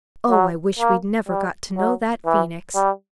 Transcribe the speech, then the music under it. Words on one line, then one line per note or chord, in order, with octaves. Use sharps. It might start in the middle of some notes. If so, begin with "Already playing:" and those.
Oh, I wish we'd never got to know that Phoenix.'
F#3
A#3
G3
F#3
E3
G3